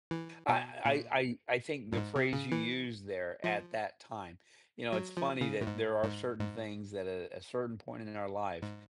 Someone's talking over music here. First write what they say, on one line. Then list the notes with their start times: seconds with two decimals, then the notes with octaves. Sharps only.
I I I I think the phrase you used there, "at that time," you know, it's funny that there are certain things that at a certain point in our life,
0.11 E3
0.49 B2
0.85 A#2
1.93 G2
1.97 G#2
2.16 C3
2.33 C#3
2.52 E3
3.44 F3
4.93 F#3
5.17 F3
5.41 C#3
5.61 A2
5.67 G#2
6.03 G#2
6.40 G#2
8.62 G#2